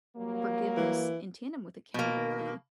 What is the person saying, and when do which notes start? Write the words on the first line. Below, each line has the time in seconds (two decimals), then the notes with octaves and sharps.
forgiveness in tandem with accountability,
0.16 F#3 G3 A#3
0.77 E3
1.94 B2 A#3